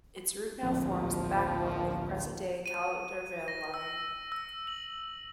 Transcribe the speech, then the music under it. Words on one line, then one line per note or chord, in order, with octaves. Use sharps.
Its route now forms the backbone of the present-day Caldervale Line.
D1 A#1 F3 C4
D#7
A#6
E6
E6
F#7